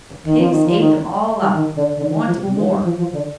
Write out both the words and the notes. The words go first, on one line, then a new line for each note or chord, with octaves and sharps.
The pigs ate them all up, and wanted more.
D#3
F3
D#3
F3
D#3
G3
D#3
D3
D3
D#3
F3
G3
G#3
G3
F3
F3
D3